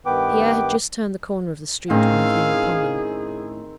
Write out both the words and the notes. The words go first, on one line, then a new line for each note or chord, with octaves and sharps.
Pierre had just turned the corner of the street, when he came upon them.
G2 D#3 B3 B4 G5 D6
A2 D#3 C4 C#4 G#4 F5